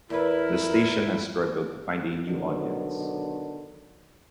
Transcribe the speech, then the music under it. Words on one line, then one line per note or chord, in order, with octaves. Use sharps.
The station has struggled to find a new audience.
E2 E4 A#4 B4
B2 D3 D#3 F#3 D4